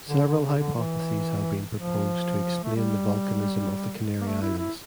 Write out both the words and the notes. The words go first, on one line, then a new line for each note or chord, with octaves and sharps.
Several hypotheses have been proposed to explain the volcanism of the Canary Islands.
D3
D3
C#3
D3
E3
F3
A3
G3
A#3
A3
E4
E4